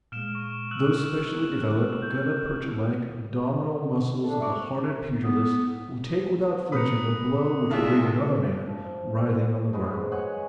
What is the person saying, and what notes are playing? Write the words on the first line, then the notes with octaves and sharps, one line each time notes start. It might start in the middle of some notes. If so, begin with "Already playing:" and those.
Those specially developed, gutta-percha-like abdominal muscles of the hardened pugilist will take without flinching a blow which would leave another man writhing on the ground.
A#2 G#3 F6 D7 E7
C#6
E6 F#6 F#7
G#3 G4 F#6
G6
D4 A4
E5 C#6 D6
B3
A#2 B3 B4 A#5 D#6 C#7
D2 G3 G#3 E4 F4 E5 F5 A5
F3
G#3 F#4 B4 C5
C#5 F#5 G#5